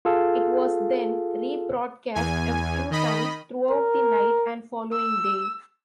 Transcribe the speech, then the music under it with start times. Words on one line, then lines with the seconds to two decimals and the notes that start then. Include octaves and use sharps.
It was then re-broadcast a few times throughout the night and following day.
0.05 F4 G#4 A4 F5
2.15 E2 G#5
2.91 D#3 D#5 B5
3.69 A#4
4.92 E6